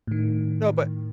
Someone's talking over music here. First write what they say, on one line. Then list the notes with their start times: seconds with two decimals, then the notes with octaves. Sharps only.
No. But
0.07 A2 D#3